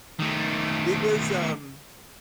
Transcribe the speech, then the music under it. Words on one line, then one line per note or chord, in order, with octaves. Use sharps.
It was, um
D#3 A3